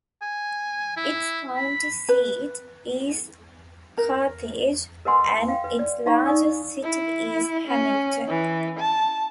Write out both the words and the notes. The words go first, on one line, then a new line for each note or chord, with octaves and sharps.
Its county seat is Carthage, and its largest city is Hamilton.
G#5
E4
B5
B4
A#4
A#4 B4 D#5 F#5 G#5 C6
F5 G5
B4
D5
D#4 F5 A#5 C#6
D#4 D5 G#5 D#6 E6
E4
C#4
E3
A5